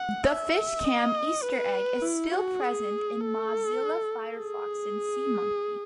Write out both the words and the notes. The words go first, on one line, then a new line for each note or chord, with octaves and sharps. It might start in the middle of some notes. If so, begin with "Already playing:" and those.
The Fishcam easter egg is still present in Mozilla Firefox and SeaMonkey.
Already playing: F#5
E5
D#5
B4
E4
F#4
G#4
A4
G#4